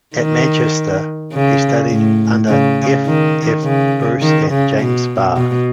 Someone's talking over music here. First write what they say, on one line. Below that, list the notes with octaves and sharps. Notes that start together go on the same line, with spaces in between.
At Manchester he studied under F. F. Bruce and James Barr.
D#3
C#3
A2
C#3
D#3
C#3
D#3
C#3
B2
B2